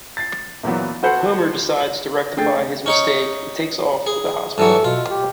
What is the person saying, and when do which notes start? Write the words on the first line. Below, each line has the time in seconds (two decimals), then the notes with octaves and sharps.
Homer decides to rectify his mistake and takes off for the hospital.
0.17 A6 C7
0.64 E2 A#2 E3 F#3 B3
1.03 F#4 A4 B4 C5 F#5
1.80 F#7
2.37 D3 A3 G#4 G5 G6 A6
2.86 C#4 D#4 C#5
4.07 G#4
4.58 G2 E3 F#3 A4
4.84 B2 F4
5.10 G4